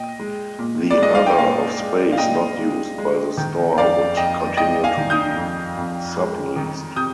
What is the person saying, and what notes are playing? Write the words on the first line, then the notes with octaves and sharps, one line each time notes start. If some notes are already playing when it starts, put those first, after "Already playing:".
The other of space not used by the store would continue to be subleased.
Already playing: A#2 D#5 G5
G#3
A#2
D5
G#3 D#5
F5
G5
A#2 F5 G#5
G#3
F5
A#2 D#5 G5
G#3
G#3
D#3
F2 D5 F5
F2 D#5 G5
G#3 D#5 G5
F5 G#5
D#3
D#6 G6
F2
F2
G#3
D#3
C3 D#6 G6